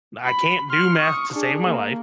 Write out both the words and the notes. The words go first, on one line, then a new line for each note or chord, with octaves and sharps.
I can't do math to save my life,
B5
C6 F6
C#6 D#6
D4 G#4
A#3